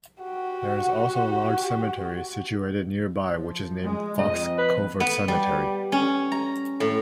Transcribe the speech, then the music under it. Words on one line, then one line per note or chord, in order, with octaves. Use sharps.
There is also a large cemetery situated nearby which is named Fox Covert Cemetery.
F#4 G4
F3
G#3
F2 D#5
B4
B3
G3
C#4
A#5
A2